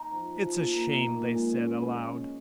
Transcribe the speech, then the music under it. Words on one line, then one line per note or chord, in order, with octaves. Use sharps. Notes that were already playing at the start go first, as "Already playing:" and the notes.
"It's a shame!" they said, aloud.
Already playing: D#4
F3
F3
A#3
D#4
A#2
G#3
C#4
G#3
C#4